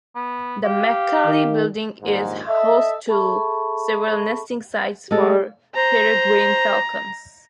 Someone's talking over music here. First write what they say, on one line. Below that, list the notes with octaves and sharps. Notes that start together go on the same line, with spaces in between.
The Mack-Cali building is host to several nesting sites for peregrine falcons.
B3
G4 F5
D#3
A#1 D#2 G#2
A4 D#5 E5
G#4 A4 E5 A5 B5 C#6
G#3 A3 G4 A4
C5 A#5